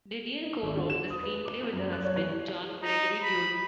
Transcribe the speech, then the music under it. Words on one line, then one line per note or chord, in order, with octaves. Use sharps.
Didion co-wrote the screenplay with her husband, John Gregory Dunne.
D#4
G#1
D3
E7
D#6
B4
D6
C4
F#2
F#6
C#5
E3
D#4
B5